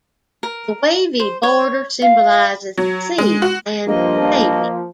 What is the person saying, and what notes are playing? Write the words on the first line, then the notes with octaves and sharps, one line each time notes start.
The wavy border symbolizes the sea and Navy.
A#4
C5
C#5
F4
F#3
G#3
F#4
G2 F3 A#3 D#5